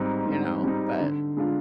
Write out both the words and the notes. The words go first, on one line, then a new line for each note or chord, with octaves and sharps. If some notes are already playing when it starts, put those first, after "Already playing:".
You know, but
Already playing: G#2 G3 C4 D#4
G#2
G3 C4 D#4
D3
G#3 D4 F4